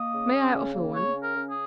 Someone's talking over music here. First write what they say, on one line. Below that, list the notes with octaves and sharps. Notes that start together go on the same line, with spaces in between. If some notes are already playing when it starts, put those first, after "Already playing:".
"May I offer one?"
Already playing: A#3 D#5
C#3
C#4
C#3
A#3
C#3 C#5
C#4
A#4
C#3
G#4